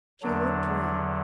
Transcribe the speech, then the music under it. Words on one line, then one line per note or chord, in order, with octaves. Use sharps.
She looked round.
E2 D3 F#3 D4